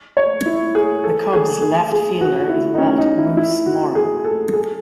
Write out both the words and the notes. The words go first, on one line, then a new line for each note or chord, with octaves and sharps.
The Cubs left fielder is Walt "Moose" Moryn.
C#5
E4
G#4
A4
G#4
G#4
G#4
F#4
F#4
E4
D#4
C#4
D#4
E4
E4
F#4
G#4
A4
G#4